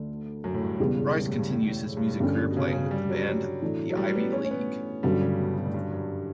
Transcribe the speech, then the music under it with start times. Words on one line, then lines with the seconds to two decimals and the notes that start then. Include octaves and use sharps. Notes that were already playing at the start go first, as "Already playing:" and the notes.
Brice continues his music career playing with the band 'The Ivy League'.
Already playing: D2 D3 A3
0.44 F#2
0.54 A2
0.62 G2
0.79 E1 E2 C#3 G3 B3
1.14 G2
1.26 A2
1.39 G2
1.50 A2
1.68 A2
1.86 A2
1.97 G2
2.08 A2
2.20 G2 D3 G3 C#4
2.51 B2
2.57 C#3
2.73 C#3
2.91 G3
3.09 F#3
3.27 F#3
3.62 A2 E3 A3 D4
3.90 F#3
3.97 G3
4.15 B3
4.32 C#4
4.45 C#4
4.51 B3
5.03 G2 D3 F#3 G3 C#4
5.21 C#3
5.39 B2
5.57 B2
5.66 A2
5.74 G2
5.91 F#2